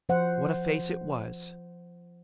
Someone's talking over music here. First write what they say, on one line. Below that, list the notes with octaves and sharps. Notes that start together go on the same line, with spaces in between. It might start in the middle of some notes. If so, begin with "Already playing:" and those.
What a face it was!
F3 C5 F#5